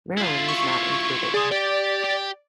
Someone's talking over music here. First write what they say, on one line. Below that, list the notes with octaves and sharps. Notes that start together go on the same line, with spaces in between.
Marilyn was not included.
E4 F4
C#6
G#4 D5 C6
G4 D5
G4